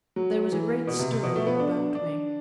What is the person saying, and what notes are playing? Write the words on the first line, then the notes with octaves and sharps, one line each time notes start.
There was a great stirring all about me.
F#3
E3
B2
C3
C3
B2
A3
B3
D4
D4